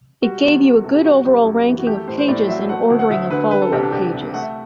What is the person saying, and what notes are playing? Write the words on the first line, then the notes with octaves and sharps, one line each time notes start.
It gave you a good overall ranking of pages and ordering of follow-up pages.
G3 F#4
E2
E2
C3 A4
G4
G3 F#4
F#2 G4
F#2
E3
F#4
A3 G4
A4
A2 C5
C5
A2 D5
F#3 E5
A3 F#5
D2
F#5
D2 E5
D3 B4
G3 B4
A4
C2 G4
D4
C2 G4
C3
A3 F#5
E5